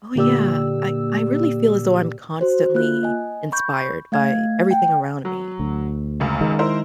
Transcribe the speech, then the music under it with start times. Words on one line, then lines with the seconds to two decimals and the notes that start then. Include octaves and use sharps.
Oh, yeah. I I really feel as though I'm constantly inspired by everything around me,
0.15 A#2 D3 A#3 G4 D5 E6
2.41 F#4 C5
2.75 A#3 F4 F#6
3.03 D#5 G#5
3.52 B5 C#6 G6
4.12 A3 F5 G#6
4.71 F#5 G5
5.25 F#3
5.60 D2
6.20 C#2 F#2
6.41 D#3 G#3
6.59 E4 A#4 C5